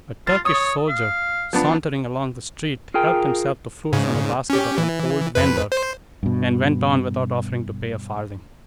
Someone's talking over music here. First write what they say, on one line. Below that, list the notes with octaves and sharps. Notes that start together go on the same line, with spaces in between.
A Turkish soldier, sauntering along the street, helped himself to fruit from the basket of an old vender, and went on without offering to pay a farthing.
F4 A6
C#5 D#6
F5
F3 B3 D4
F4 G#4 A#4 G5
G#2 C#3
C#4 G4
E3
F2 B4
C5
G2 B2